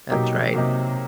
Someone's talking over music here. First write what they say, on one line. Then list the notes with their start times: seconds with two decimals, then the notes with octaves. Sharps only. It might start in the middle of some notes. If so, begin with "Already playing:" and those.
That's right.
0.11 B2 F#3 A#3 D#4 G4
0.54 C3 F#3 A#3 D#4 G4